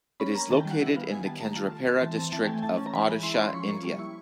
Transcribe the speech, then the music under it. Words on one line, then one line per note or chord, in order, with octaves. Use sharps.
It is located in the Kendrapara district of Odisha, India.
C#4 B5
A#3 A#5
D#3 A5
G5
G3
F#5
E4
B3 F5
D#3 G#5
G3 A5
A3 A#5
F4 A5
A3
C4
E3 A5
C4 A5
E3 A5
G5
A3 G#5
E3 A5
C#4
A#5
E3 B5
G#3
E4 C6
B5
C#4 C6
F3 C#6
A#3 C#6
G3 C#6
E4 C#6